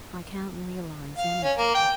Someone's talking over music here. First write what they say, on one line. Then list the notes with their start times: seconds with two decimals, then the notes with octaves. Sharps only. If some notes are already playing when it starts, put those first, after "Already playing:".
I can't realise anything.
1.17 F5
1.43 C#4
1.58 A#3
1.75 G5